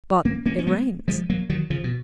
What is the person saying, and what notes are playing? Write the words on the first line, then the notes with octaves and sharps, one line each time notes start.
"But it rains."
A#3 C#4
A#3 C#4
C#4
G#3 B3
F3 G#3
F#3 A#3
D#3 F#3
C#3 F3
B2